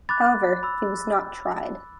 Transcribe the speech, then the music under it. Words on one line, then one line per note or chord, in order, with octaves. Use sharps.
However, he was not tried.
B5 D6 F#6 A6
B5 E6